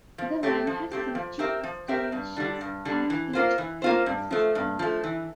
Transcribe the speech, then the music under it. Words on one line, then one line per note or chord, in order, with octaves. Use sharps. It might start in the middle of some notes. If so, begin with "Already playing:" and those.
The line had switching stations at each end of the span.
F3
A3 C4 G4
F3
A3 C4 G4
F3
C4 G4 A#4 E5
F3
C4 G4 A#4 E5
G2
D3 G3 D4
G2
D3 G3 D4
E3
A#3 F4 C5
E3
A#3 F4 C5
G2
F3 A3
G2
F3 A3
E3